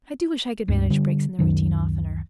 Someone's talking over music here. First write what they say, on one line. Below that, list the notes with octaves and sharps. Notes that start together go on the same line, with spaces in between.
I do wish I could manage breaks in the routine oftener.
C#2 G2
D3 G3
C#2 F#2 D#3 F#3